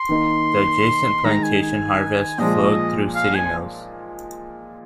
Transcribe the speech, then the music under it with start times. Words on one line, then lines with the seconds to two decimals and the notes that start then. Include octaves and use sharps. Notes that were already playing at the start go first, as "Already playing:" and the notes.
The adjacent plantation harvests flowed through city mills.
Already playing: C6
0.09 D#3 A#3 D#4
1.24 D#3 G#3 D#4 A#5
1.43 G#5
1.62 G#5
2.38 A#2 F3 G#3 D#5
3.15 F5
3.35 G#5